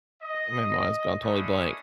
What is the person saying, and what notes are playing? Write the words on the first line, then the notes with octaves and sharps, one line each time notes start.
my mind's gone totally blank.
D#5
G#3 A3 C#4 D4 E4 D#6